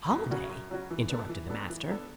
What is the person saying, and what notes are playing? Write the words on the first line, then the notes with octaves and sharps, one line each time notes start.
"Holiday!" interrupted the master.
F#2
C#3 F#3 C#4 F#4
F#2
C#3 F#3 C#4 F#4
E3
B3 D4 A4
E3
B3 D4 A4
E3
B3 D4 A4